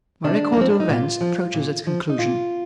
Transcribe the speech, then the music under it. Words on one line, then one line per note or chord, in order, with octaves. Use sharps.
MY record of events approaches its conclusion.
C3 D4
A#3
F3 C4
D4
D#4
A#2 F4
F3
A#2
F3
D#4
A#2 F4